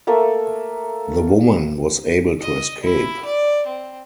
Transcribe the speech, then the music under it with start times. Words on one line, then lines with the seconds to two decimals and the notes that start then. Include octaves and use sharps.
The woman was able to escape.
0.07 A3 A#3 A4 E5
2.41 D#5
2.83 E4
3.25 D5
3.67 C4